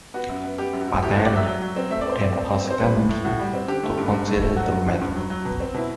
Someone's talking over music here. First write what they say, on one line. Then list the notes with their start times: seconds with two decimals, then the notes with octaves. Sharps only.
Patel then asked Gandhi to consider the matter.
0.14 B3 F#4
0.29 F#2
0.44 B3
0.58 B3 G4
0.73 F#2
0.81 F#4
0.88 F#2
1.03 A2 G4
1.14 A2 A4
1.25 D5
1.32 F#3 E5
1.47 F#3
1.62 F#3
1.76 C4
1.91 A3 E5
2.01 C4 D5
2.12 C5
2.20 A3 D5
2.36 C4
2.50 C4
2.65 C4
2.71 C5
2.80 G3 B4
2.94 A2
3.09 A2
3.24 A2 F#4
3.39 G3
3.53 C4
3.68 D3 G4
3.83 A3
3.97 G2
4.13 G2
4.27 A3
4.42 A3
4.56 F#3 F#4
4.71 G2
4.86 G2
5.01 G2
5.16 F#3
5.30 F#3
5.45 B2
5.60 C4
5.74 B2 E4